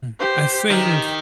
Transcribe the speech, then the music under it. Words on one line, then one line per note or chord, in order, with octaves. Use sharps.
Hmm, I think
G4 C5
D#3 G4